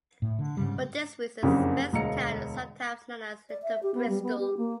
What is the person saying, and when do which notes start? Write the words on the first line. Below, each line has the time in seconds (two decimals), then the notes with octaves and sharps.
For this reason Speightstown is sometimes known as Little Bristol.
0.22 A2
0.39 D3
0.57 G#2 C#3 G3
1.43 F#1 F2 C#3 D4 G4 A#4
1.93 E1 D2 D#5 F5 A#5 C#7
3.50 D5
3.63 E5
3.83 G4
3.95 B3
4.08 G3
4.23 B3
4.39 G4
4.58 A#3